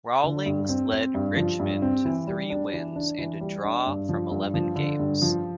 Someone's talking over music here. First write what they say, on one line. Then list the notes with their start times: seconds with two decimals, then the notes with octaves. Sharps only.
Rawlings led Richmond to three wins and a draw from eleven games.
0.24 D3
0.46 G2
0.69 C4
0.91 C4
1.15 G2
1.37 F3
1.60 G2
1.82 C4
2.05 E3
2.27 G3
2.50 D4
2.73 E3
2.96 D4
3.18 E3
3.41 G3
3.63 D4
3.86 G2
4.09 F3
4.31 G2
4.54 F3
4.76 D3
4.99 G2
5.22 F3